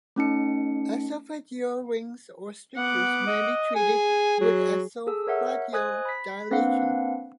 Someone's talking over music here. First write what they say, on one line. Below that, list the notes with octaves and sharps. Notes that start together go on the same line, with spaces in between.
Esophageal rings or strictures may be treated with esophageal dilation.
A3 C#4 D#4 C#7
B3 F#5 D6
D#5
G#4 G#5
F#3
G#4 A4 E6
A#4 C#5 E5 F#5
C5 D#5 G#5 D#6 F#6 G#6
B5 B6
A#3 C4 D4 B4 F5 F#5